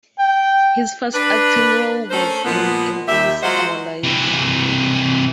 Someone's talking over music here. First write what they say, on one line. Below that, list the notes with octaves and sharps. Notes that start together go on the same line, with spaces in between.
His first acting role was in "In This Our Life".
G5
D4 B4
A3 C#4 A4 A#4 C5
A#2 F3 G#3 A#3 B3
D#2 D#3 G4 E5
F#3 G#3 F4 C5 D#5 F#5
C3 E3